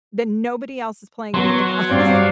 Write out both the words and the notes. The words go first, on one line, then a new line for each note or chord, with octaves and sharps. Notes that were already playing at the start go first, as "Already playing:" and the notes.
then nobody else is playing anything else.
F#3 B3 C6
G2 C4 C5 D5 F5